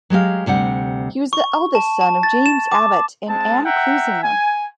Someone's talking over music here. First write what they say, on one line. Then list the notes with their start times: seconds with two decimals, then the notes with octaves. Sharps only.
He was the eldest son of James Abbot and Ann Clousinger.
0.10 F#3 G#3 G4 F5
0.46 D2 C3 G3 F#5
1.33 C#6
1.75 A5
2.01 A5
2.23 A6
2.46 E7
2.72 D6
3.28 G#3 C4 A5
3.65 E5 F#5 G5 A#5
4.23 G#5